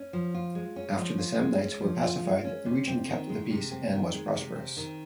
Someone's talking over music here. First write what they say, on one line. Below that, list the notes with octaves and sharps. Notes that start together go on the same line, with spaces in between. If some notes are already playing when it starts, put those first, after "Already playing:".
After the Samnites were pacified, the region kept the peace and was prosperous.
Already playing: C#4
F3
F4
G#3
C#4
F3
F4
G#3
C#4
F3
F4
G#3
C#4
C3
C4
D#3
G#3
C3
C4
D#3
G#3
C3
C4
D#3